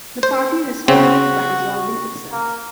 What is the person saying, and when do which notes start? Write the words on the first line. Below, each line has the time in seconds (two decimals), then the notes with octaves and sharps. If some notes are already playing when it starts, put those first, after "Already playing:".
The party responded by dissolving itself.
0.23 C5
0.88 C#3 C4 F#4
2.32 A#3